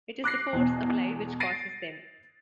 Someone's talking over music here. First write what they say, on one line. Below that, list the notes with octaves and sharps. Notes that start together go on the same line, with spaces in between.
It is the force applied which causes them.
D6 F#6 A#6 C7
E2 B2
A6 A#6 C7 D7 D#7